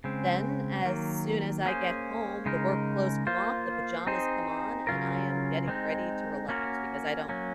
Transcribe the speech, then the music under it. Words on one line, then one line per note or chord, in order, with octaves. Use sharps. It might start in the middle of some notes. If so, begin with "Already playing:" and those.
then as soon as I get home, the work clothes come off, the pajamas come on, and I am getting ready to relax because I don't
C#3 G#3 C4
D#3 F#3 A#3
A#3 C#4 G#4 C5
C#3 G#3 D#4 A#4
A#3 F4 C5
C4 D#4 G#4 C5
C#3 F#3 C#4 F4 A#4
G#3 C4 D#4
A#3 C#4 F#4 A#4
F#3 A#3 C#4